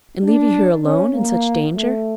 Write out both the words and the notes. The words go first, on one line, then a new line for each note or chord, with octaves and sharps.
"And leave you here alone--in such danger?"
D4
C#4
A#3
A3